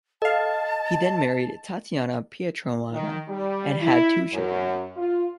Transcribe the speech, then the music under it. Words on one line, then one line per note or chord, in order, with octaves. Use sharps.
He then married Tatiana Pietrowna and had two children.
A4 D#5 F5 A5
D#3
G3
E4
F#2
F4